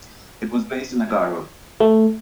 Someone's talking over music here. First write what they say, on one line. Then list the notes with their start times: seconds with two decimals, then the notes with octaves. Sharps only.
It was based in Agaro.
1.80 A3